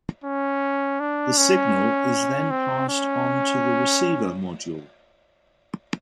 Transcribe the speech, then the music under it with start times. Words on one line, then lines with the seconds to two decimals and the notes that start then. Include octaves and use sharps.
The signal is then passed on to the receiver module.
0.24 C#4
1.00 D4
1.37 C#4
2.50 C4
2.88 C#4